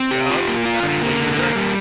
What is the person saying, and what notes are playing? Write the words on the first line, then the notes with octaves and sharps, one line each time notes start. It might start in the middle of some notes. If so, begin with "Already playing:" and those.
Yup. That's what you deserve.
Already playing: C4
G4
F4
A#3
F4
D3
A#3
D3
A#3
G3